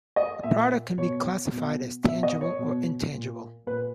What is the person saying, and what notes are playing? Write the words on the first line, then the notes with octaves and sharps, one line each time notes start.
A product can be classified as tangible or intangible.
D#5
A#2 E5
B2 C#5
B2
B2 E5
D#5
C#5
B2
A#2
A#2 B4